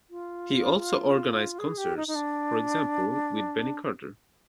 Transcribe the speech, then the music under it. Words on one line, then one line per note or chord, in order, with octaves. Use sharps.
He also organised concerts, for example with Benny Carter.
F4
G#4
G4
D#4
D#4
D4